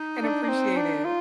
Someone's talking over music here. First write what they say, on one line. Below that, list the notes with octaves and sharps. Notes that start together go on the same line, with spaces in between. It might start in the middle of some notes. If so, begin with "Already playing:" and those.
and appreciate it.
Already playing: D#4
D4
D4
C4
D4
F4